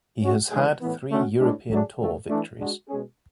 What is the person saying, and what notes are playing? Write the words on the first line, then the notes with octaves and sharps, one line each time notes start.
He has had three European Tour victories.
G#3 C#4 F#4
C#3 E3 G#3 D4 G#4
A2 E3 B3
D3 A3 C#4 F#4
A2 G#3 D4
F#3 A3 D4 G#4
C#3 E3 A3
E3 A3 D4
G#3 D4 F#4
B2 G#3 C#4 G#4